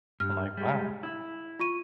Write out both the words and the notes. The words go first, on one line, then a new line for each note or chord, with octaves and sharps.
I'm, like, "Wow.
G2 F6
G3 G#3
E4
F4 C#6 D#7